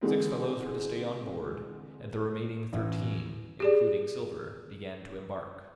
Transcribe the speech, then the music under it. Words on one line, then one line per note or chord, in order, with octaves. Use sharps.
Six fellows were to stay on board, and the remaining thirteen, including Silver, began to embark.
D3 E3 G#3 C4
A1
G4 G#4 D5